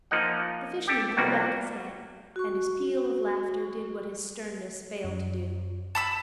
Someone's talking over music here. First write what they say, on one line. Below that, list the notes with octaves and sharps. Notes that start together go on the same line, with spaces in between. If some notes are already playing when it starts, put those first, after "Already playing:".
The fisherman threw back his head, and his peal of laughter did what his sternness failed to do.
F3 A#3 D#4 D#5 F#5
G4 A4
C2 F2 G3 A#3 F#4
F#4 C#6
F#2
A5 B5 E6